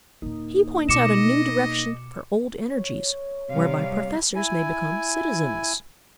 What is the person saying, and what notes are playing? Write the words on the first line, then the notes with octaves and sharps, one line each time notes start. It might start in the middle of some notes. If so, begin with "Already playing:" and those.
He points out a new direction for old energies, whereby professors may become citizens.
D#1 C#3 A#3 D#4
B2 D#5 D6 C#7 E7
C#5
C3 G3 F5
E4 G#5